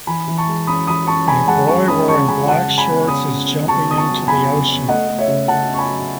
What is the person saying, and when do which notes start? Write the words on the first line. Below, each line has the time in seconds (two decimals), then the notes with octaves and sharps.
A boy wearing black shorts is jumping into the ocean.
0.07 E3 G#5 B5
0.28 E3
0.38 A5 C#6
0.47 G#3
0.67 C#4 B5 D#6
0.87 E3 B5 D#6
1.07 C#4 A5 C#6
1.28 G#3 G#5 B5
1.48 G#3 F#5 A5
1.68 C#4 A5 C#6
1.88 C#4 B5 D#6
2.08 G#3 A5 C#6
2.28 G#3 G#5 B5
2.48 C#3 F#5 A5
2.68 C#3
2.78 G#5 B5
2.88 B3
3.08 C#3 B5 D#6
3.28 C#3
3.48 B3
3.68 C#3 A5 C#6
3.88 B3 D#6
3.98 A5 C#6
4.08 F#3
4.28 B3 G#5 B5
4.48 C#3
4.68 B3
4.88 A3 D#5 F#5
5.08 A3
5.18 C#5 E5
5.28 C#3
5.48 C#3 F#5 A5
5.68 C#4
5.74 C#6
5.78 G#5 B5
5.89 F#3